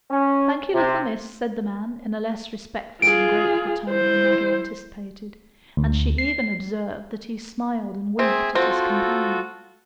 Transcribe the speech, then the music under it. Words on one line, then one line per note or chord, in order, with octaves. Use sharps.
"Thank you, little miss," said the man, in a less respectful and grateful tone than Maggie anticipated, and she even observed that he smiled and winked at his companion.
C#4
C3
F4 G#4 D7
E4 C5
D2
C7
C4 G#4 E5
C4 F4 F#4 A4